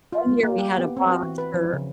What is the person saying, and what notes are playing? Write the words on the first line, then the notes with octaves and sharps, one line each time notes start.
One year we had a box for
F4
A#3
G4
B3
C4
F#4
E3
B4
F3
C#3